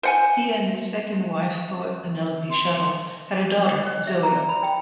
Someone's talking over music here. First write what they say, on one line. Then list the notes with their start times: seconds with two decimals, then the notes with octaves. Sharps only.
He and his second wife, poet Penelope Shuttle, had a daughter, Zoe.
0.03 C5 F#5 G#5
2.50 C6
3.68 D#5
3.86 C#5
4.07 E5
4.23 A#5
4.35 D5
4.49 B5
4.63 G5